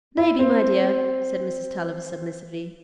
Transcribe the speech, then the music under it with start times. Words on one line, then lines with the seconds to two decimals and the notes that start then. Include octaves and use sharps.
"Maybe, my dear," said Mrs. Tulliver, submissively.
0.17 E4
0.39 C4